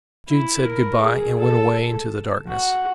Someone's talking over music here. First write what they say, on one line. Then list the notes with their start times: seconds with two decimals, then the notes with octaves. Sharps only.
Jude said good-bye, and went away into the darkness.
0.29 E4
0.64 A#4
1.02 G#4
1.38 A4
2.48 F#4